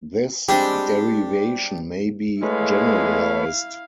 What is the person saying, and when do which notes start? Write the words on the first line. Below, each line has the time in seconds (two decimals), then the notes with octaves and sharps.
This derivation may be generalized.
0.49 G3 G#3 C4 D4 G4
2.43 G#3 A3 E4 B4 C#5 F5